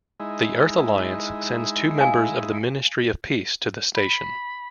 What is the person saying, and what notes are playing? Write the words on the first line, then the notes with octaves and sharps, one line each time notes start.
The Earth Alliance sends two members of the Ministry of Peace to the station.
G#3 D#4 E4
F5 G#5
B5